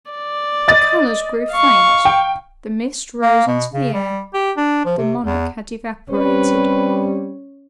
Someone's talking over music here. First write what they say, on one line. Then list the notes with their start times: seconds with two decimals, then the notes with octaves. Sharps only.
The colors grew faint; the mist rose into the air; the monarch had evaporated.
0.11 D5
0.68 D#5 A6
1.52 F5 C#6
2.05 G5
3.22 A#3
3.47 B2
3.74 C#3
3.94 G3
4.34 G4
4.57 D4
4.85 F3
4.98 C3
5.25 E2
6.11 G3 C4 C#4 B4